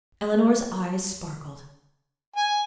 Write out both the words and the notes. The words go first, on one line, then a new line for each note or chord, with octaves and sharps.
Eleanor's eyes sparkled.
G#5